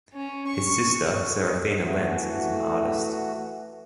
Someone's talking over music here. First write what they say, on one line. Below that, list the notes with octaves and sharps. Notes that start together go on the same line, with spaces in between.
His sister Seraphina Lenz is an artist.
C#4
C#6
E3 A3 F#4